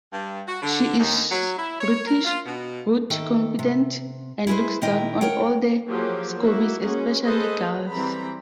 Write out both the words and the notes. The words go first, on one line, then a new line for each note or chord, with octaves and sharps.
She is British, rude, confident, and looks down on all the Scoobies, especially Giles.
G2
F#4
D3
D#2
F#3
E4
C#5
A#4
F4
B2
D#3 A4 E5 G5
C3
E4 G#4 A4 B4 C5
A#2 D#3 E4 D#5 G5 A#5
A#4 C#5 F#5 G5
F3 F#3 A#3 G4 G#4
A#3 D#4 E4 F#4
G#3 A#3 C#4 F#4 G#4
G#4 A4 B4 C5 D#5
E3 G3 C4 A#5 B5